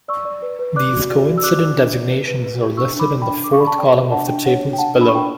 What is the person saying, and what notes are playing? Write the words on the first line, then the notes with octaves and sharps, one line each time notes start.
These coincident designations are listed in the fourth column of the tables below.
D5 C#6 E6
D5
B4
B4
D5 D6 F#6
F#4
D5
F#4
E6
D5 D6 F#6
D5
D4
D5
B4
B4
B4
G4
D4 C#6 E6
D4 B5 D6
D5
G5 B5
D4
D4 D6
C#6
D5 B5
A5 C#6
D5 G5 B5
B4
D4 F#5 A5
D4 G5
C#5 F#5
D4
G5
D4 F#5 A5
D4
B5
C#6
D4 G5 B5